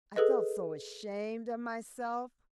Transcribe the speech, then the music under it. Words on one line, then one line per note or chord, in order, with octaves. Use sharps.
I felt so ashamed of myself.
G#4 A4 B4 D#5